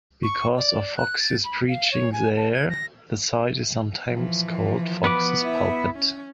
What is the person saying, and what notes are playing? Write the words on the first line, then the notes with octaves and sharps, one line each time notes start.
Because of Fox's preaching there, the site is sometimes called Fox's Pulpit.
C#6
D5
F#6
A6
B5
F5
C#5
G#5
A5
G#6
A#6
E3 F3
B3 B4 D6
E4 E5
C#4